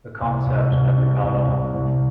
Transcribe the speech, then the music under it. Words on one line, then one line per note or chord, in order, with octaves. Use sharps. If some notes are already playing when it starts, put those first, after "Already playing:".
The concept never caught on.
C2
C2
C2
C3
C2
C2
C2